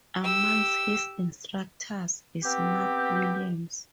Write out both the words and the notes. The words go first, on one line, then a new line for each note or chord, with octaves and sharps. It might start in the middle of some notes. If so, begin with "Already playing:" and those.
Amongst his instructors is Marc Williams.
G4 E6
B3 C4 G4